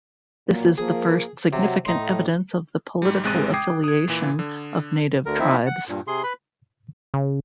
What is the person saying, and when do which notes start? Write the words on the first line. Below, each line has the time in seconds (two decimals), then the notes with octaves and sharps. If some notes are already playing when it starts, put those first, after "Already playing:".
This is the first significant evidence of the political affiliation of native tribes.
0.48 A#2 F#3 A#3
0.78 F3 A#3 G#4
1.53 C3 F#3
1.85 A2 D#4 C6
3.02 G#2 G3
3.23 A1 C3 G#3 F#6 A6 D#7
3.54 G5 D6 D#6 G#6 C7
3.84 D#6 G#6
4.08 A#2 E3
4.39 D3
5.26 D2 D3 A#4
5.40 F3 A#3 C4 D#4 E4 E5
5.66 F#5
5.89 G2 A#2
6.08 C3 G#4 C6
6.23 B4 B5
7.14 C#3